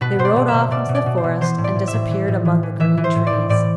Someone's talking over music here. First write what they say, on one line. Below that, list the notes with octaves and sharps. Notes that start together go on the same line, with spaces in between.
They rode off into the forest, and disappeared among the green trees.
B2 B4
B2 C5
D5
B2
E5
B2
B2 D5
B2
D5
B2
C5
B2
E3 C5
A2
D5
A2
E5
A2
E3
A2
E3
E3
E3 E5
E3
C5
A2
D5
A2
A2 D5